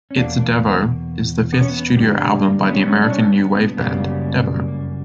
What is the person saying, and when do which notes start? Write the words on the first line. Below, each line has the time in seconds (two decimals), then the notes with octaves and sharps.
It's Devo is the fifth studio album by the American new wave band Devo.
0.11 C#4
0.17 E2 B2 A#3 D4
0.40 A#3
1.53 B3
1.61 C#4
1.70 B3
1.97 G2 D3 G3
2.42 A#3
2.65 B3
2.73 C#4
2.80 B3
2.88 C#4
3.03 D4
3.10 C#4
3.32 B3
3.55 B3
3.77 F#2 C#3 G3 A#3 B3
4.68 A#3